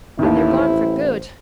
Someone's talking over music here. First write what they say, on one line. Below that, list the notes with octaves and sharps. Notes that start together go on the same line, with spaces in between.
"Then they are gone for good."
A1 D#2 D#3 E4
C5